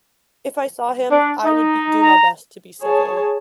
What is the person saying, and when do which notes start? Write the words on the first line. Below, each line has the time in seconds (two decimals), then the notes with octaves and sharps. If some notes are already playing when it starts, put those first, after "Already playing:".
If I saw him, I would be do my best to be civil,
1.11 D4
1.45 D#4
2.01 A#5
2.82 G#4 C#5 A5